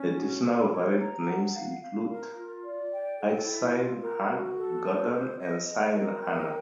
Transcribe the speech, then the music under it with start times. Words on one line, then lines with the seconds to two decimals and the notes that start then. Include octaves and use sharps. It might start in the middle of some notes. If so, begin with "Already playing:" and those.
Additional variant names include: Achsinne-hanne, Gordon, and Sinne-hanna.
Already playing: C#4
0.16 F#4
0.44 A4
0.71 C#5
0.99 A#5
1.26 F#5
1.54 F5
1.81 F5
2.09 A#4
2.36 F4
2.64 D5
2.92 G5
3.19 A4
3.46 E4
3.73 F4
4.01 A#4
4.29 F#4
4.56 A4
4.84 C5
5.12 C5
5.39 D#5
5.67 D#5
5.93 A#4
6.21 G5